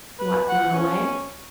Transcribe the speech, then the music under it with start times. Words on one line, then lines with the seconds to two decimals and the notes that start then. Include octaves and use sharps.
"What, run away?"
0.20 B4
0.49 F#5
0.73 C#4